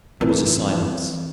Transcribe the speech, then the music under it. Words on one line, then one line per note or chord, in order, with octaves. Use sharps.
There was a silence.
E3 C4